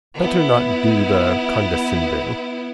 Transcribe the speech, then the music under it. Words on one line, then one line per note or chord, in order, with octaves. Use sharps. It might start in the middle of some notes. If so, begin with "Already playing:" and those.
Better not do the condescending.
B3 E4